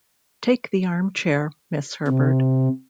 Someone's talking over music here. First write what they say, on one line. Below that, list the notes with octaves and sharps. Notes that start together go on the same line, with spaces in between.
Take the armchair, Miss Herbert.
C3